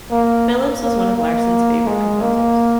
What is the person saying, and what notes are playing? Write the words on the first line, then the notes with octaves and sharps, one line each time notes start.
Phillips was one of Larson's favorite composers.
A#3
A#3
A#3
G#3
A#3